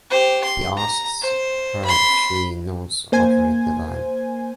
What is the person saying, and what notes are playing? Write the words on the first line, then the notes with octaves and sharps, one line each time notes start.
He asks her if she knows Audrey Devine.
G4 C5
C6
A#5
C5
B5 C6
A#3 C5 G#5 G#6